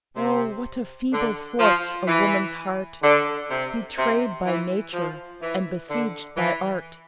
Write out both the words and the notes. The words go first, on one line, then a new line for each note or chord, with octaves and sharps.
Oh, what a feeble fort's a woman's heart, Betrayed by nature, and besieged by art.
C3
D3
F3
E3
D3
C3
C3
E3
F3
E3
D3
E3